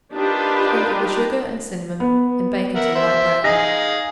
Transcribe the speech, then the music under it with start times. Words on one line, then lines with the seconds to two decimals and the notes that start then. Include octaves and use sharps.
Sprinkle with sugar and cinnamon and bake until light brown.
0.14 D4 D#4 F4 G4 A#4 B4
2.00 B3
2.75 A#4 E5 F#5
2.95 C5 E5
3.44 D#4 G#4 D#5 F5 A#6